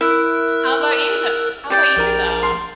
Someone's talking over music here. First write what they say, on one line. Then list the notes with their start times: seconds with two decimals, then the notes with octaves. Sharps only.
how about you though How about you though?
0.01 E4 A#4 E6 F#6
1.70 G4 D5 G5
1.97 A#1 A#4 A#5
2.43 C6